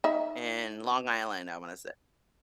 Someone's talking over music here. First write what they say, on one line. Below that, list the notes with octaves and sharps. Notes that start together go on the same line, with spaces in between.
in Long Island, I wanna say
D#4 E5